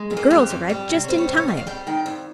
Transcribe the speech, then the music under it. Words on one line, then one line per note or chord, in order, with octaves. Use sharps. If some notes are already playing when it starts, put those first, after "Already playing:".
The girls arrived just in time.
Already playing: G#3
A#2
A#3
F2 G4
F2
G3
C3
C#5
G3 C5
C#5
C3 C5
C#5
F2 D#5
F5
G3 G5
D#3 G5
F2